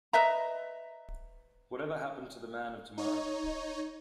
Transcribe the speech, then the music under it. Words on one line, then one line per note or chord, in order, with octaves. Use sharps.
Whatever Happened to the Man of Tomorrow?
B4 D#5 E5 A#5
D#4 C#5